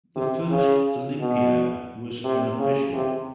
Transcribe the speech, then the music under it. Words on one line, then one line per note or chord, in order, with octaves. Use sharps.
The first Olympiad was unofficial.
C3
C#3
B2
C3
C#3
C3